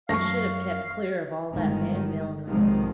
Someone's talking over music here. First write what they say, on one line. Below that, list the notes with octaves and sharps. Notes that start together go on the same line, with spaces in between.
You should have kept clear of all that man-millinery.
C#2 F#2 A3 F5 C#6 A#6
G1 G#2 D#3
B1 G#2 C3 D#3 F3 G#3